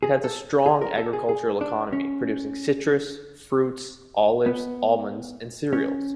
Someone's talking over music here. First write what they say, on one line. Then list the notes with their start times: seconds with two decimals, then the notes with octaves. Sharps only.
It has a strong agricultural economy, producing citrus fruit, olives, almonds and cereals.
0.03 G#4
0.24 A4
0.66 G#4
0.81 A#4
0.98 A4
1.13 G#4
1.29 G#4
1.61 D4
1.93 C#4
4.46 B3
5.73 C#4